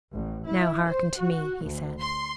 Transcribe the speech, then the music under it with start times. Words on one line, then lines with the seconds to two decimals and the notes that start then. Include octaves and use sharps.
"Now, hearken to me," he said.
0.12 A1
0.46 E4
0.85 C5
1.19 F#4
1.64 D2
1.99 C6